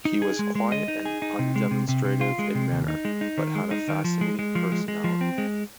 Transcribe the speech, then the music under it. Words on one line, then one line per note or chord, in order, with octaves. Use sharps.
He was quiet and undemonstrative in manner, but had a fascinating personality.
D#4
G#4
G#3
G#3
D#5
D#4
G#4
D#4
C3
G#3
C3
C3
C3
F4
G#3
C3
D#2
D#4
G#3
D#4
D#3
G#3
D#4
D#3
F3
G#3
G#3
F3
G#3
G#3
F3
C4
G#3